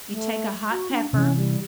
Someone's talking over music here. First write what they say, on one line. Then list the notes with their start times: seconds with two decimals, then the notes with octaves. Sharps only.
you take a hot pepper
0.11 A3
0.71 F#4
0.91 D4
1.13 C3 E3 C#4
1.36 G3